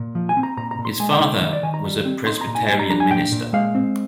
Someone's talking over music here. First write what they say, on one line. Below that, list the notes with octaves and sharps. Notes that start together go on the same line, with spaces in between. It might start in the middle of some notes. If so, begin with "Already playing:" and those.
His father was a Presbyterian minister.
Already playing: A#2
F3
G#5
C4
A#5
A#2 A#5
A#5
A#2
C6
G#3 G#5
G5
D#4
G5
D#3
D5
D#3 G#5
A#5
G3
C4
D#4 C6
A#5
A#2
G#5
G3 G#5
A#5
D4 A#5
G#5
A#2 G5
A#2
G#3 F5
C4